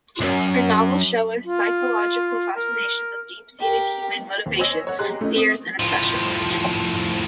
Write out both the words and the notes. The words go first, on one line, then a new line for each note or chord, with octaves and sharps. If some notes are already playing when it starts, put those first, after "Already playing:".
Her novels show "a psychological fascination with deep-seated human motivations, fears and obsessions".
C#2 F#2
F4
A#4
G4 A#4
D#2
C5 C#5 D#5 G#5 E6 A#6
C#5 F#5
G4 G#4 D#5 A#5 C6 F#6
A3 C#4 F4 D#5
C4 D#6
A2 F3